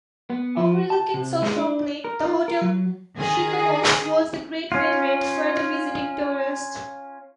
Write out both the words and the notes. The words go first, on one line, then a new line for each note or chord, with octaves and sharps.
Overlooking Shuswap Lake, the Hotel Sicamous was a great favourite with the visiting tourist.
B3
F3
A5
C3
G#3
D4
A#4
F4
A#4
F#3
D#3 G#4
C#4 F4